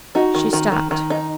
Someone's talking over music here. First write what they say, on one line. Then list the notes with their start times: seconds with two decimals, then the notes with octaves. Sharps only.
She stopped.
0.15 D#4 F#4
0.35 D#3
0.53 D#3
0.72 D#3
0.91 D#3
1.10 D#4